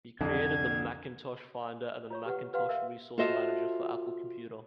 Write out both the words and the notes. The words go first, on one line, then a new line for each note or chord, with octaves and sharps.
He created the Macintosh Finder and the Macintosh Resource Manager for Apple Computer.
C2 F2 D3 G#6
F4 C#5 C#6
G4 B4 F#5
G4 B4 F5 F#5 C6
A#4 E5 F5
F4 F#4 A4 C5 D#5 E5